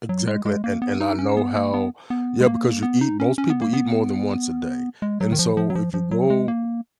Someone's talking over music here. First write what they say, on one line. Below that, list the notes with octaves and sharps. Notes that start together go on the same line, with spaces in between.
Exactly, and and I know how yeah, because you eat most people eat more than once a day, and so, if you go
F#3
G#3
G#3
A#3
B3
D#4
C#4
B3
A#3
B3
B3
G#3
A#3
B3
D#4
C#4
C#4
B3
A#3
B3
G#3
F#3
D#3
F3
F3
F#3
F3
F3
F#3
G#3
A#3